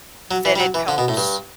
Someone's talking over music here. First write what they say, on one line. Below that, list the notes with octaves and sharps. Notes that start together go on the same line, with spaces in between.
that it helps
F#3
E3
G3
F#3
E3
D3
B2
A2
G2